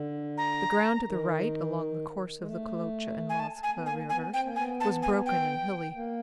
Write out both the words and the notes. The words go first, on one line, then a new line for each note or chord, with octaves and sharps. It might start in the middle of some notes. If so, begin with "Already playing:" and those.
The ground to the right--along the course of the Kolocha and Moskva rivers--was broken and hilly.
Already playing: D3
A#5
D#3
G#3
A3
G#5
A5
G#5
B3
A#3 G#5
B3 G#5
C4 G5
A#3
B3 G#5
A5
G#5
G5
A#3